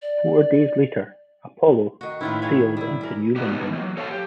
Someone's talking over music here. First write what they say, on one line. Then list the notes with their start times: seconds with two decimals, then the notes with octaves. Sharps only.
Four days later, "Apollo" sailed on to New London.
0.02 D5
2.01 D#3 F#4
2.21 A2 D#3 A#3 E4 F4 B4
2.42 E4 G#4 C#5
2.77 G3 E4
3.01 E3 A#4
3.36 A3 B3 D4 D#4 F#4 G4
3.52 B3 D#4
3.69 E3 A#3
3.81 F#3
3.97 A4 C#5 F5 G#5 A5
4.11 G4